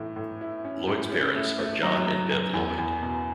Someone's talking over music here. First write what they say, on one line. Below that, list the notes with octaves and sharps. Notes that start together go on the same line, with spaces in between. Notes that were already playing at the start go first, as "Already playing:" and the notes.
Lloyd's parents are John and Bev Lloyd.
Already playing: A2 E3
A2
E4
C#4
A2
C#4
A3
A3
F#3
F#3
F#2
E2
E2
B2